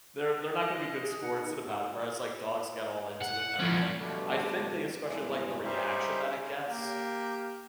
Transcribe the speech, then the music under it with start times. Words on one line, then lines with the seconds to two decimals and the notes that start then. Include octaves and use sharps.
they're they're not gonna be good sports about it, whereas, like, dogs get all into it and everything, I think they especially like the reaction that it gets,
0.59 D#5
1.03 G#4
1.22 D#4 F#5
3.21 F#5
3.60 F3 C#4
3.99 G2 B2 D3 G3 A3 D4
5.03 E2 G2 E3 G#3
5.64 G3 C#4 D#4 G4 C5 E5
6.67 A#3 G4